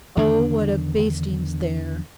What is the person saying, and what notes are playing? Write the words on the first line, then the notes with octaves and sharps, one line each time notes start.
Oh, what a basting's there!'
E2 D3 D#3 D4